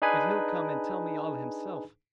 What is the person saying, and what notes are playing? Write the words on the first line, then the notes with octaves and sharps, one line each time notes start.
But he'll come and tell me all himself.
D4 D#4 G#4 B4 G#5 B5